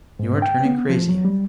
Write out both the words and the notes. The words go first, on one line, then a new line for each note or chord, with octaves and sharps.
You are turning crazy, I think.
G#2
G5
B3
F3
F#3
G3